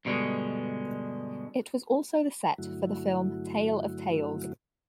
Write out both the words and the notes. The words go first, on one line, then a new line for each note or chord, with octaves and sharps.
It was also the set for the film "Tale of Tales".
G2 B2 D3 G3 G#3
G2 D3 F#3 A3 E4 F#4